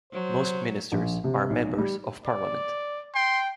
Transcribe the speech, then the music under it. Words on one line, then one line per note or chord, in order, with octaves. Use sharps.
Most ministers are members of Parliament.
F#3 C5
A#1
C3
B1
G3
D5
G5 C6